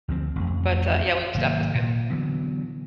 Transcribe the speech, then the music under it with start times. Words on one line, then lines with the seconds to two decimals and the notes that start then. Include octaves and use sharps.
But, uh, yeah, Wingstop is good.
0.08 D2 F3 C4
0.36 A1 F2
1.34 G#1 C3 F#3 A#3
1.75 A#2
2.10 D3 E3 F#3 B3